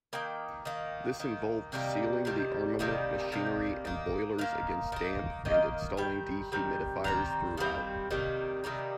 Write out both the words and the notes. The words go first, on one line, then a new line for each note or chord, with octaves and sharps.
This involved sealing the armament, machinery and boilers against damp and installing dehumidifiers throughout.
D#3 A#3 G5
D#3 A#3
D#3 A#3
C3 D#3 G3 A#3
C3 D#3 G3 A#3
C3 D#3 G3 A#3
C3 D#3 G3 A#3
D#3 A#3
D#3 A#3 F5
D#3 A#3
D#3 A#3 D#5
D#3 G3 G5
D#3 G3 C4
D#3 G3 C4 A#5
D#3 G3 C4 F5
C3 D#3 G3 A#3
C3 D#3 G3 A#3